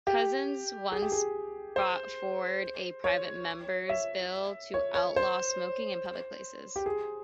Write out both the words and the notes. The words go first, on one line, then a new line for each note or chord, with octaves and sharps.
Cousens once brought forward a private member's bill to outlaw smoking in public places.
G4
G#4
G4
G#4
C5
C#5
E5
C#5
C#5
C5
G4
G#4